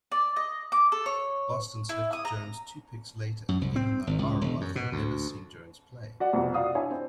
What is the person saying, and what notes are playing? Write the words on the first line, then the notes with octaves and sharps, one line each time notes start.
Boston selected Jones two picks later, even though Auerbach had never seen Jones play.
D5
D#5
D6
A4
C#5
E4
D#6
A#5
F#2
C2
C4
G#1
C#2
E1
F#2
B2
D2
F#4 D5 F#5
C2 F2 B2
F4 F#4 D5 F5 D#6
D4 E4 C#5 E5 G#5
C4